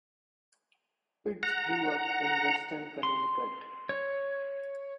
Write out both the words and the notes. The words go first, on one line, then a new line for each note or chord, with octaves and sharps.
Pitts grew up in Weston, Connecticut.
F#5 A#5
C6
C#5